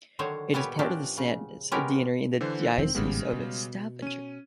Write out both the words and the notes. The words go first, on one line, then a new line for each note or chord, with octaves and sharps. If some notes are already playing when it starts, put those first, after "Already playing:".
It is part of the Sandnes deanery in the Diocese of Stavanger.
D3 D#3 F#3 C5 C#5
A#2 G3 B3 G4 C#5 G#5
F3 C#4 D4 F#4 G4
C#3
G3 G#3 B3 C#4 G4 A#4
D3 E3 C5
E1 D#3 F3 C4
G#1 A2 C#3 G3 G#3 B3
B2
C#4 D#7